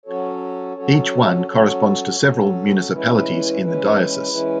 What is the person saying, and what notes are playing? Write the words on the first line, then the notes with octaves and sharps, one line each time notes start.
Each one corresponds to several municipalities in the diocese.
F#3 C#4 F#4 A4 C#5
F#3 C#4 F#4 A4 C#5
F#3 C#4 F#4 A4 C#5
F#3 C#4 F#4 A4 C#5
E3 G#3 C#4 E4 B4
E3 G#3 C#4 E4 B4
E3 G#3 C#4 E4 B4